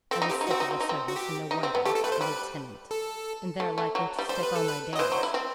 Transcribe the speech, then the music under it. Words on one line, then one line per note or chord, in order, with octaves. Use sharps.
I was sick of the service, and no wonder: a lieutenant--and there likely to stick all my days.
C4 A4
D#4
C4 G4
D#4
C4 F#4
D#4
C4
D#4
C4
F#4
G4
D#4
C4
B3
A3 G4
A4
A3 B4
C5
G3 B4
A4
A3
A3
F#3
G3
G3 C5
B4
A4
B4
F#3
D#5
E3 C5
F#3
E4
C4